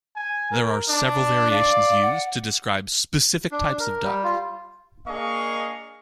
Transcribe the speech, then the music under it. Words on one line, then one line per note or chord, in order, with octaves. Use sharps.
There are several variations used to describe specific types of duck.
G#5
A#4
D4
D5 F5
F#5
D4
A#4
G3
F4
A#3 D4 G#4 D#5 F5 C#6